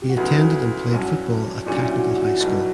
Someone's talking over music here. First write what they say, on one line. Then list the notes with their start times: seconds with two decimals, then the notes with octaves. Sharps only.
He attended and played football at Technical High School.
0.02 G4
0.09 F#4
0.17 D2 C#3 F#3 B3 E4
0.91 G2 F#3 C#4 F#4
1.66 A#2 F#3 C#4 D4 G4
1.84 E4
1.91 F#4
2.15 F#4
2.40 B1 B2 G3 B3